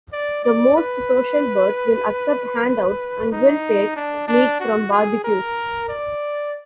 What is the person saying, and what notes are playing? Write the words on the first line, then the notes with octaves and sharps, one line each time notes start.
The most social birds will accept handouts and will take meat from barbecues.
D5
D5
B4
D#4
D4
D4
F#4
G#4
A#4
D5